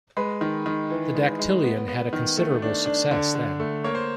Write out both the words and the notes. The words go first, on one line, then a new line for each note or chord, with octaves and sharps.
The dactylion had a considerable success then.
G#3 B4
D#3
D#3
E3
G#3
G#3
B3
B3
D#3
A3
D4
D4
D3
D3
A3
A#3 C#5
C5